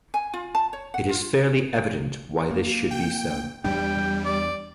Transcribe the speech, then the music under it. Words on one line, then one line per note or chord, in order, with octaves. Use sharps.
It is fairly evident why this should be so.
G#5
F4
A5
C#5
F#5
F4
A#3
G5
E2 G3 D4 G5
D5